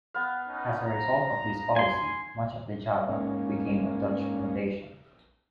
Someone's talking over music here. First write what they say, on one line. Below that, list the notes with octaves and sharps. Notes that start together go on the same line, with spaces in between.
As a result of this policy, much of Java became a Dutch plantation.
B3 F5
C#4 D#4 B4
A#5
G#5 C6
G#2 A#3 C#4